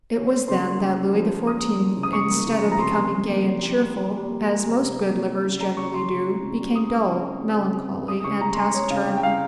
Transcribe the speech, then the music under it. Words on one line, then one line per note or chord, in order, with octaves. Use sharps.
It was then that Louis XIV., instead of becoming gay and cheerful, as most good livers generally do, became dull, melancholy, and taciturn.
A#3 C#5
A#3
C#3 C6
A#3
C#3
C#3
F3
F3
A#3 D#6
A#3
A#3
C#3
D#6
C#3 C#6
A#3
C#3
F3
A#5
C3 C6
A#3
C3
A#3
A#3
G3
A#3
A#3
G3
A#3
A#3
C3
C3
G3
A#3
A#3
C#3
G3 A#5
C#3 C#6
C#3 C6
C#3
C4
C#3
G3
C4 D#6
G3
C#3
C4
G3
C#3
C4
G3
G#3 D#6
C#3 C#6
C#3 A#5
C6
C4 A#5
C4 C#5
C#3 F5
C#3 G5
G5
C#3 F5